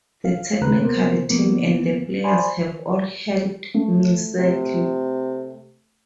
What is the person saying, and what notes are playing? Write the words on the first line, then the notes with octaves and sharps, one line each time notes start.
The technical team and the players have all helped me settle.
F5
D#2 C#3 B4 A#5 F#6
C3 A#3 B3 A#4 C5
E2 F3 A#3 B3
C5 D5 G#5 B5 C6
A3
C3